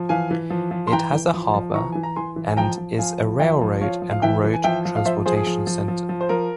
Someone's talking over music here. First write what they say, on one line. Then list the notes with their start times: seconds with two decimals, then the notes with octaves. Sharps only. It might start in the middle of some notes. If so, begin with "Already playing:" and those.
It has a harbour and is a railroad and road transportation center.
Already playing: F3
0.09 E3 F5 G#5
0.31 E3
0.50 F3
0.71 F3
0.87 C6
0.92 E3 G5 A#5
1.12 E3
1.34 F3
1.54 F3
1.74 E3 A#5 C#6
1.92 E3 G#5
2.03 A#5
2.16 E3 G#5 C6
2.36 E3
2.48 G#5
2.57 F3 G5 A#5
2.78 F3
2.98 F3 F5 G#5
3.20 F3
3.40 F3 E5 G5
3.61 F3
3.81 F3 C#5 F5
4.02 F3
4.11 F5
4.22 E3 E5 G5
4.44 E3
4.53 G#5
4.64 F3 E5 G5
4.85 F3
4.96 F5
5.05 F3 C5 E5
5.26 F3 G#4 C5
5.36 G#4
5.47 F3
5.67 F3
5.88 F3
6.09 F3
6.21 C5
6.29 F3 A#4